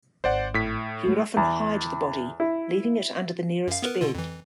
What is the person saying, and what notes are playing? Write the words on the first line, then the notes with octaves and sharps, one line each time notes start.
He would often hide the body, leaving it under the nearest bed.
G#1 C5 D5 F#5
A2 B6
G#3 A3
E2
E4
F#2 F5
B3 A#4 B4
B2 D3 F4
F2 E3